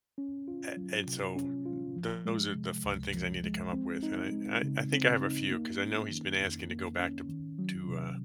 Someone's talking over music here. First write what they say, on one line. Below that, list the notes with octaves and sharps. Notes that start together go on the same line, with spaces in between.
a and so, those are the fun things I need to come up with, and I and I I think I have a few 'cause I know he's been asking to go back to p to, uh
C#4
F4
F#3
C3
C#4
F4
F3
G#3
C3
C#2
F3
G#3
C4
D#4
G#3
C#3
C4
D#4
A#3
C#4
D#3
F2
A#3
C#4
D#3
F#3
C3